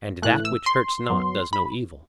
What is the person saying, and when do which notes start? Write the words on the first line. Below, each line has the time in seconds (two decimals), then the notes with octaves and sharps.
And that which hurts not does no evil?
0.22 A2 E3 A3 F#6
0.45 E6
0.66 C6
1.10 F#2 F#3 B3
1.53 B5